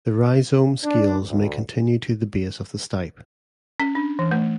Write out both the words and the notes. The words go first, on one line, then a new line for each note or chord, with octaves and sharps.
The rhizome scales may continue to the base of the stipe.
D4
D2
C#4
D4
E3
A3